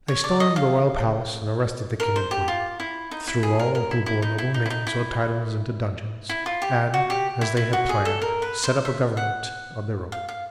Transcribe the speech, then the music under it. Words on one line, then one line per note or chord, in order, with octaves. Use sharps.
They stormed the royal palace and arrested the king and queen, threw all who bore noble names or titles into dungeons, and, as they had planned, set up a government of their own.
C#5
D5
D#5
F5
A#4
C5
G4
F4
E4
D#4
E4
G#4
A#4
A#4
E4
E4
D#4
E4
D#4
E4
D#4
E4
E4
F4
G4
F#4
G4
E4
E4
F#4
G#4
A4
A#4
B4
C5
E5
F#5
F5
F5